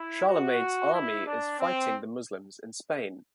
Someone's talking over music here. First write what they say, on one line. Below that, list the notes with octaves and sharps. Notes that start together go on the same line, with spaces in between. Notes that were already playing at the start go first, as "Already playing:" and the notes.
Charlemagne's army is fighting the Muslims in Spain.
Already playing: E4
F#4
E4
D4
C4